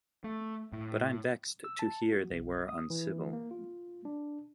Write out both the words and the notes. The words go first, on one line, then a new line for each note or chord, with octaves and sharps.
But I'm vexed to hear they were uncivil.
A3
A2
E6
A5
F#4
B1
D#6
E3
A#3
F4
D4